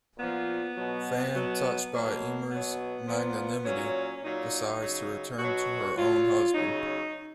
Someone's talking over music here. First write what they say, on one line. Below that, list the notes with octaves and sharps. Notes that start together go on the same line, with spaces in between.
Fand, touched by Emer's magnanimity, decides to return to her own husband.
A#2 F3 B3
B2 F#3
B2 F#3
B2 F#3 A#3
B2 F#3 B3
A#2 F3 B3
A#2 F#3 C#4
A#2 F#3 D#4
C#3 F#3
B2 F#3 F#4
A#2 F#3 F4
C#3 F#3 D#4